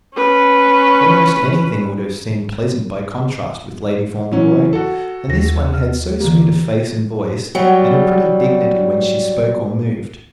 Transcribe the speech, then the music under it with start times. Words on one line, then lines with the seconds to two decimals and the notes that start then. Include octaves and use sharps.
Almost anything would have seemed pleasant by contrast with Lady Fauntleroy; and this one had so sweet a face and voice, and a pretty dignity when she spoke or moved.
0.15 C#4 B4
4.32 E3 F#3 C#4
4.73 F#4 A4
5.27 D#2 A#6
5.74 F6
6.20 D3 E3 A#3 G4
7.55 F#3 G3